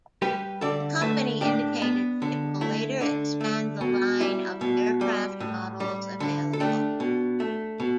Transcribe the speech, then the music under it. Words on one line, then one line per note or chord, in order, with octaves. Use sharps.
The company indicated that it will later expand the line of aircraft models available.
G3 G4 B4
D3 A4 D5
A3 B4 E5
A2 D4 G4
B3
D3
A3 E4
D3 D4
A3
B2
G3 E4
B2
G3
A2
G3
D3
A4
A3 D4 G4
B2
A3
B2